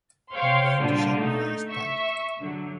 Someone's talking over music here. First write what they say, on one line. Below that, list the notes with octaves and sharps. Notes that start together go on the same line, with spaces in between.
I’m going to shut my eyes tight.
C5 C#5 F5 G5 C6
A#2 D3 G3 F4
A3 D#4
E5 C#6
D3 F#3